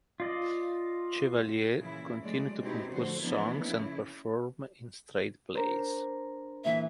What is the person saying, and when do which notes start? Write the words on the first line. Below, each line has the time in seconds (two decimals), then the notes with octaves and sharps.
Chevalier continued to compose songs and perform in straight plays.
0.20 F4 D5 D#5
1.78 A#2 C#3 E3 E4
2.22 F#3 G#3 A3 D5
2.61 B2 C4 D#4 E4 G4
2.91 A2 D3 F3 F#4 C5
3.20 E3 F3 A#3 B3 D4 E4
3.61 C#3 E4
5.55 D4 A#4 C5
6.65 A#2 E3 E5